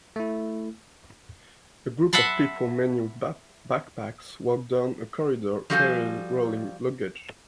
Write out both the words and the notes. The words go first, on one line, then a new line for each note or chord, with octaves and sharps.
A group of people, many with backpacks, walk down a corridor carrying rolling luggage.
A3 E4
E5 F#5 A5 B5 C6
F3 G3 F#4 A4 F5 G#5